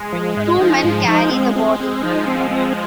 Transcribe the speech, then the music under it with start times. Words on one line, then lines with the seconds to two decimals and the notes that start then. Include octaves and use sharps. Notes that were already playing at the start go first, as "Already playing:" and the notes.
Two men carry the body.
Already playing: G#3
0.12 F3
0.36 G#2
0.60 F3 D#4
0.84 G#2
1.08 D#4
1.31 G#3 C4
1.56 C4
1.80 C4
2.03 F3 D#4
2.27 C4
2.51 C4